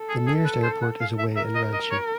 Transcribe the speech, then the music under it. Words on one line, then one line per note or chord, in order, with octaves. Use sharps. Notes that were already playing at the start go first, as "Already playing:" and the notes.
The nearest airport is away in Ranchi.
Already playing: A4
G#4
G#4
B4
C5
F#5
F5
E5
A#4 E5
D#5
D#5
C#5